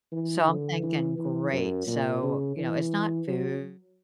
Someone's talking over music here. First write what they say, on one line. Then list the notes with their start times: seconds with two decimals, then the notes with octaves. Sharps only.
So I'm thinking great, so, you know, it's not food,
0.12 E3
0.47 D3
0.82 E3
1.18 E3
1.52 F#2
1.87 A#2
2.23 C#3
2.57 E3
3.28 F#3